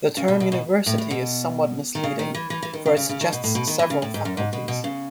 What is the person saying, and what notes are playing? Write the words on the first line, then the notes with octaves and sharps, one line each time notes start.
The term university is somewhat misleading, for it suggests several faculties.
C#3
B2
B2
B2
A2
A2
B2
D#3
C#3
D#3
E3
E3
E3
D#3
C#3
C#3
C#3
D#3
B2
A2
B2
D#3
E3
C#3
A2
G#2
F#2
G#2
B2
B2
C#3